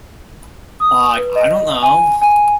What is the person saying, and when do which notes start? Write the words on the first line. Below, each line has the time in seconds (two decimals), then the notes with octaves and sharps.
Like, I don't know.
0.80 D#6
1.17 B4
1.36 D#5
1.83 G#5
2.22 G#5